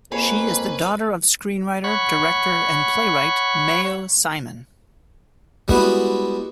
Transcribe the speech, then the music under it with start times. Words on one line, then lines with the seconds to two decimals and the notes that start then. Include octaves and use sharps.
She is the daughter of screenwriter, director and playwright Mayo Simon.
0.12 F2 A#3 G#4 B4 C#5
1.84 C#5 F#5 B5 C#6
5.68 G3 G#3 B3 E4 F#4